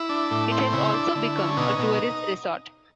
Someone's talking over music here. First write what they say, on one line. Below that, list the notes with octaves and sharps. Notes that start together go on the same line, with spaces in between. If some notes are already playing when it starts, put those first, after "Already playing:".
It has also become a tourist resort.
Already playing: E4
D4
A2
C4
C#3 E4
D4
D3
C#4
B2 D#4
B2